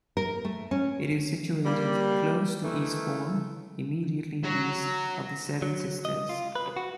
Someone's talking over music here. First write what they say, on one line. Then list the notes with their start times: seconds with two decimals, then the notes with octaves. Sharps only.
It is situated close to Eastbourne, immediately east of the Seven Sisters.
0.17 A#4
0.45 A3
0.71 C#4
1.65 G3 A#3
2.63 D#3 E3 A3
4.44 F#3
5.62 F#3
6.05 D#5
6.29 F4
6.55 B4
6.77 F#4